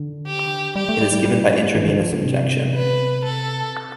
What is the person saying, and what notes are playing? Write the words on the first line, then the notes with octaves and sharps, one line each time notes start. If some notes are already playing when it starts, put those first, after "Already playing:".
It is given by intravenous injection.
Already playing: D3
G4
G3 G4
A3
G3
G3
G3
E3
D3
F3
D3
C3
B4
A4